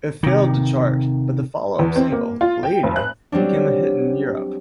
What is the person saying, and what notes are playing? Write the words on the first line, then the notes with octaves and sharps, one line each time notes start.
It failed to chart, but the follow-up single, "Lady" became a hit in Europe.
C3 D#3
E2
C4
A#3
F4
G5
F1
F#6
F#3 G3 C4 D4